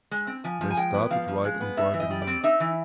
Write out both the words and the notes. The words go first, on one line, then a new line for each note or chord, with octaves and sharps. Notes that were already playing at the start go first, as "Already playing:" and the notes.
They started right in bribing me!
G#3
C4
F3 G#5
F3
G#5
G#3 G5
B3
F3 F5
F3
G#3
B3
D#4 E5
E3
D#5
G3
D5
C4
D#4 E5
E3